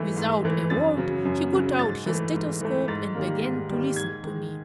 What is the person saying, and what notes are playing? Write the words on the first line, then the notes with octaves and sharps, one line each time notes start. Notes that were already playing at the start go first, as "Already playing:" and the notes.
Without a word he got out his stethoscope and began to listen to me.
Already playing: G#2 E3 A3
G#2
E3 A3
F#2 A6
C#3 F#3
F#2
C#3 F#3
G#2 A6
E3 A3
G#2
E3 A3
G#2 A6
D#3 G3 A#3
G#2
D#3 G3 A#3
G#2 G#6
D#3 G#3